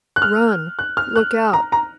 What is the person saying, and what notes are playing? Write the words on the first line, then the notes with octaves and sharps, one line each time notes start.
Run! Look out!
F#6
F6
F#6
F6
F#6
A#5
A#5